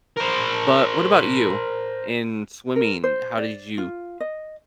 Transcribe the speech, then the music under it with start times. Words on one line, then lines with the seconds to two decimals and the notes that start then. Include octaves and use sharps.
But what about you? In swimming, how did you
0.17 A#4 C5
2.76 A#4
3.04 C5
3.38 D5
3.78 F4
4.20 D#5